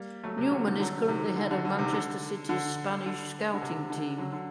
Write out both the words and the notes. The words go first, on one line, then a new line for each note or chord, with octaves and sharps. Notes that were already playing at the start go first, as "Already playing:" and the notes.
Newman is currently head of Manchester City's Spanish scouting team.
Already playing: G3 A#3
F#3 A3
C3
D3
C3 D#3
D3 F#3
C3 D#3
D3
D3
D3
C3 D#3
D3
D3
D3
D3
C3
D3
D3 F#3
D3